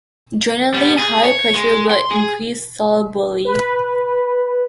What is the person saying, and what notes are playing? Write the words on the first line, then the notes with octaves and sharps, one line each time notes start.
Generally, higher pressure will increase solubility.
G3 B3
G#4
C#5
G#3
C6
G#4
B4